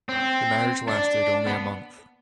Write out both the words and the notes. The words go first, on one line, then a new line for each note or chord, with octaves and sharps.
The marriage lasted only a month.
C4
D4
B3